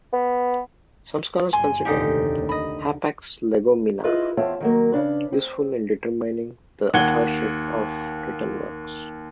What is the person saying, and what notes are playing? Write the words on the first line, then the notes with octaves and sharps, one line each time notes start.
Some scholars consider "Hapax legomena" useful in determining the authorship of written works.
B3
G1 G2 G#5 C6
F1 A#1 D#2 D3 D#4 G4
D#5 B5
E4 F4 G#4 B4 D#5
E2 C4 F4 C#5 E5 A5
D#3 F#3 A#3
C#3 D4 B4
C4
D#2 F#5 G#6 G7